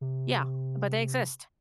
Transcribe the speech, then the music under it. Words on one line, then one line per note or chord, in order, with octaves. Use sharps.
Yeah, but they exist
C3